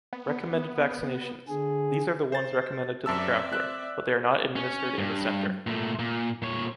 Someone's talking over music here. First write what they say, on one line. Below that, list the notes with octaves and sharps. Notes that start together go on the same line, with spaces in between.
Recommended vaccinations: these are the ones recommended to the traveler, but they are not administered in the center.
B3
D3 G#4
C5 A6
F#2 C4 D5 E5 A5 E6
F#6
C#4
G2
A#2 A3
A#2
A#2 C#5